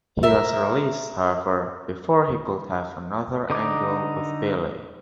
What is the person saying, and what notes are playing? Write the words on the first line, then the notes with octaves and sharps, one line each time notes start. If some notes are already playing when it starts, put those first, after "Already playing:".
He was released, however, before he could have another angle with Billy.
A#4 E5
D3 D#4 D6